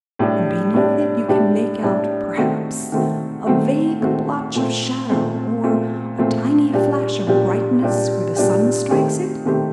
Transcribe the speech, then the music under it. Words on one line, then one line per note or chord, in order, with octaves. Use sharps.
And beneath it you can make out, perhaps, a vague blotch of shadow, or a tiny flash of brightness where the sun strikes it?
A2 G3 D4 G4
A2 G3 D4 G4
A2 G3 D4 G4
A2 G3 D4 G4
D#3 A3 C4 F#4
D#3 A3 C4 F#4
D#3 A3 C4 F#4
D#3 A3 C4 F#4
A#2 A3 C4
A#2 A3 C4
A#2 A3 C4
A#2 A3 C4
A#2 G3 D4 G4
A#2 G3 D4 G4
A#2 G3 D4 G4
A#2 G3 D4 G4
D#3 A3 C4 G4
D#3 A3 C4 G4